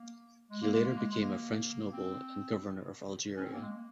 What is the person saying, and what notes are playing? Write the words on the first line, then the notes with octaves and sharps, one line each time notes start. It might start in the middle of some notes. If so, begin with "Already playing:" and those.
He later became a French noble and Governor of Algeria.
Already playing: A#3
G#3
A#3
G#3
A#3
G#3
G#3
A#3
C4
C#4
C4
A#3
G#3
A#3